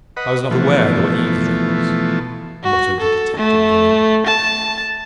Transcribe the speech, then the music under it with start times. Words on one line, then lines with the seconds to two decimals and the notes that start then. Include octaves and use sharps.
'I was not aware there were eavesdroppers,' muttered the detected villain.
0.17 B4 D#5 F#5
0.51 B2 E3 F3 A3
2.63 F#4
3.00 A4
3.37 A3
4.27 A5